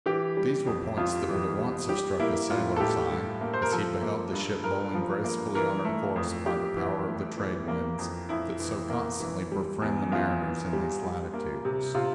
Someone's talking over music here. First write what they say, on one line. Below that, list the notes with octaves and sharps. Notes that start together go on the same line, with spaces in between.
These were points that would at once have struck a sailor's eye, as he beheld the ship bowling gracefully on her course by the power of the trade winds that so constantly befriend the mariners in these latitudes.
E3 G4
G3
F2
F2 F4
E3
G3
G3 G4
A#3 E4
A2 F4
A4
A2 G4
G3
A#3
C5
A#4
F3 A4
A#3
G2
G2 A#4
F3
A#3
E3 A#4
A3
F2
F2 G4
E3
A3
E3
A#3
F2
F2 E4
E3
A#3
E3
G3
E2
E2 F4
E3
G3
G3
A#3
C3
C3 F4